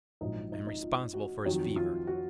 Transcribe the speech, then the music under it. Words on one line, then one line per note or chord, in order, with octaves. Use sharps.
I am responsible for his fever.
A#1 G#2 F#3 D#4
D#4
D#4
F4
F#4
F2 D#3 F#3 F#4
F4
F#4